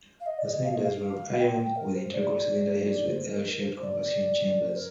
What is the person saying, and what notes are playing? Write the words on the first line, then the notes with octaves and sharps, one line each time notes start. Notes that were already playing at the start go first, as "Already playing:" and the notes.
The cylinders were of iron, with integral cylinder heads with L-shaped combustion chambers.
F5
D#5
D5
D#5
F5
D#5
F5
G5
G5
A#4
C5
D5
D5
C5
A#4
A#4
C5
D5
C5
A#4